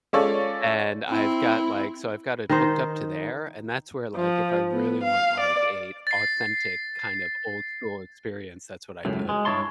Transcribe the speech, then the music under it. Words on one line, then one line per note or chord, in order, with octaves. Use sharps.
and I've got, like so I've got it hooked up to there, and that's where, like, if I really want, like, a authentic kind of old school experience, that's what I do it on.
G#3 C#4 F4 A4 C#5 D5
C4 E4
D#3 D#4 C5
F3
B3
F5
D5
A6 C7
C#2 F#2 A2
G#3
G2 E4 C#5 A5 C6